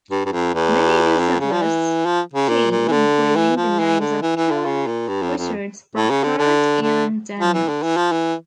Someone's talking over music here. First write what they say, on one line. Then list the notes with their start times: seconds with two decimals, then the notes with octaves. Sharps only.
Many new settlers came, including the names of Keller, Richards, Brockhart, and Daniels.
0.10 G2
0.26 G2
0.32 F2
0.54 E2
1.19 F2
1.40 C#3
1.52 F3
1.62 E3
2.05 F3
2.33 C#3
2.48 A#2
2.71 A#2
2.88 E3
2.92 D3
3.36 E3
3.57 F3
3.79 E3
4.00 D3
4.22 E3
4.36 E3
4.51 D3
4.65 C#3
4.86 A#2
5.08 G2
5.22 F2
5.37 F2
5.95 A2
6.10 C#3
6.23 D3
6.38 D3
6.82 D3
7.39 F3
7.53 E3
7.68 D3
7.83 E3
7.97 F3
8.11 E3